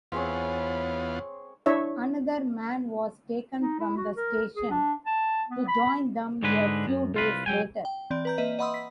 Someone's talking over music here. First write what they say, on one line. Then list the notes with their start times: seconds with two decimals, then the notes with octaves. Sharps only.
Another man was taken from the station to join them a few days later.
0.12 E2 B3 C4 F4 G#4 C#5
1.66 D4 E4 C#5 E5
3.60 D#4
3.80 E4
3.97 F#4
4.16 A#4
4.56 G#4
4.70 D4
5.06 A5
5.49 B3
5.68 B5
6.43 G#2 D3 G#3 G#4 B4
6.87 F#2
7.14 C2 F4 B4
7.46 F#3 G5 G#5
7.85 G5
8.10 E3 C4 D5
8.25 B4 A#5 G6
8.38 A#3 B4 D#5 E5
8.59 D#5 F#5 B5 C6 D#6 E6
8.74 B6